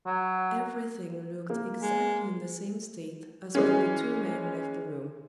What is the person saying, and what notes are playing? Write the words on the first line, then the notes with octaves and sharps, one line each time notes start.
Everything looked exactly in the same state as when the two men left the room.
F#3
A#3
G#3
E3 G#3 C#4